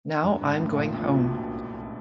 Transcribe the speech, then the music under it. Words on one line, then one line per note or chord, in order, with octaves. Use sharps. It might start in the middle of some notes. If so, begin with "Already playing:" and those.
Now I'm going home.
G2
G#2
A1 A2
A#1 A#2
A#1 A#2
B1 B2